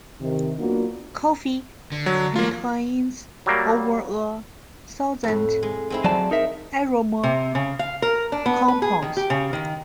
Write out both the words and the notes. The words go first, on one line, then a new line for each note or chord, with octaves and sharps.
Coffee contains over a thousand aroma compounds.
C3 D#3
F#3 A#3 B3 D4 F4 F#4
D3
F#3
F3 F#3 A#3 F4
F#3 G3 A#3
F2 A2
G#3
G#3 C4 E4
F3 F#3 D5 A5
D#4 A#4 E5
C3
C#3
F5
A#4
D4
B3
B4
G#4
D#3
G4
C#3
D#3